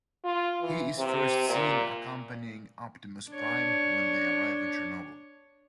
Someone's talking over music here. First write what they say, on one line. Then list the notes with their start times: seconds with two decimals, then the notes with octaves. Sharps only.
He is first seen accompanying Optimus Prime when they arrive in Chernobyl.
0.24 F4
0.61 E3
0.99 C3
1.49 A#2
3.31 D4 C#5